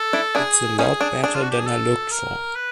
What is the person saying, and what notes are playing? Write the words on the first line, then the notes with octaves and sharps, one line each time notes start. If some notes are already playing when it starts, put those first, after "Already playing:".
It's a lot better than I looked for.
Already playing: A4
D4 E4
D4 E4 G#4
C#4 D#4 G#4
D4
D4 G#4
F4
F#4
G4
G#4
A4
A#4
B4